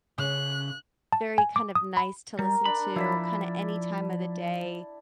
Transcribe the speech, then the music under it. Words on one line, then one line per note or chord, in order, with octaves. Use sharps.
very kind of nice to listen to kinda any time of the day,
C#3 F#6
A5
G#5
D6
D#6
B5
G3 A#4
D4 B5
F3 E4 D5 B5